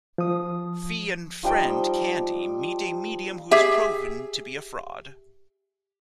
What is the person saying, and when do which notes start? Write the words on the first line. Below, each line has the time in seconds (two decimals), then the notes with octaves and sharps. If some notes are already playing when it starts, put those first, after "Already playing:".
Fi and friend Candy meet a medium who is proven to be a fraud.
0.18 F3 D#6
1.43 F3 G3 D#4 G5
3.51 G4 G#4 E5